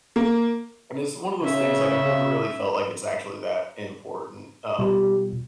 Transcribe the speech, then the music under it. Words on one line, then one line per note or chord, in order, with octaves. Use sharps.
And it's one of those things, like, I've never really felt like it's actually that important, um,
A#3
C#3 C#4 E5
B2 G3 F4